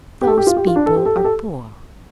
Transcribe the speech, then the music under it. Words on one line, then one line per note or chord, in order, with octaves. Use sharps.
Those people are poor.
G4
A4
G4
F4
G4
F4
D4
A4
G4
A4
G4
A4